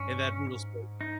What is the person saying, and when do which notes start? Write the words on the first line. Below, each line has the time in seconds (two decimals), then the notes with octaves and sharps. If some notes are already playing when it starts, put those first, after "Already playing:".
in that brutal sport
Already playing: G2 C#4
0.42 G#2
1.01 D#4